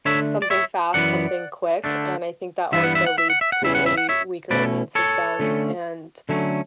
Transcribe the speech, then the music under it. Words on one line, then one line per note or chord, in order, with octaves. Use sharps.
Something fast, something quick, and I think that also leads to a weaker immune system, and
D3 A3 D4 C#5 E5
D5
C#5 E5
F#2 E3 B3 D5 F#5
D3 A3 D4
G2 E3 G3 B3 E5
F#5
E5
F#5
E5
F#5
E5
F#5
E2 C#3 E3 G3 C#4 E5
F#5
E5
F#5
C#5 E5
B2 A3 C#4 B4 D5
A4 C#5
D3 A3 C#4
D3 F#3 A3 C#4